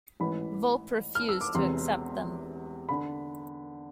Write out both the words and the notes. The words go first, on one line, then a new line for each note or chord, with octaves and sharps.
Volpe refused to accept them.
A1 G#2 E3 B5
F6
E6
D6
E1 E2 C3 C6
D3 B5